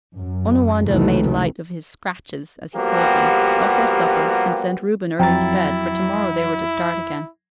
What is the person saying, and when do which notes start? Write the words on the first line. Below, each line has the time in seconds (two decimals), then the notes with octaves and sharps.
Onawandah made light of his scratches, as he called them, got their supper, and sent Reuben early to bed, for to-morrow they were to start again.
0.17 F#2
0.87 F1 C#2 C3 D#3 E3 A3
2.75 F3 G3 A#3 B3 F#4 G4
5.20 F2 F#3 E4 G5 A#5 A6